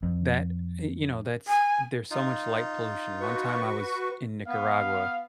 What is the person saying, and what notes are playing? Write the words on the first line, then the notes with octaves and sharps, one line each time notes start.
That, y you know, that's there's so much light pollution. One time I was in Nicaragua,
F2
G#5
D#4 F4
F#4 B4 C#6
B3 F5